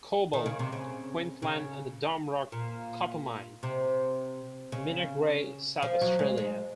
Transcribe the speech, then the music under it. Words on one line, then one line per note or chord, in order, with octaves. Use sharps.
Cobalt, Queensland and the Dome Rock copper mine, Mingary, South Australia.
D#3
C#3
C3
C#3
C#3
A#2
C3
C#3
F3
F#3
G#3
G#3